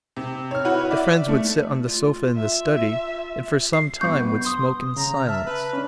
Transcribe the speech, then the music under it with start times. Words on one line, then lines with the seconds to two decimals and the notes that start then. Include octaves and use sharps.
The friends would sit on the sofa in the study and for some time would smoke in silence.
0.16 C3
0.51 C#5 F6
0.65 E4 F#4 B4 C#5 F#5
0.91 D5 E5
1.28 A3
1.87 F4
2.35 E5
3.73 C7
4.01 B1 G2 C#6 G6
4.17 B3
4.45 C6 D#6
4.96 C#3 A#5
5.27 E5 A5 F6
5.46 B4
5.73 C#4 D4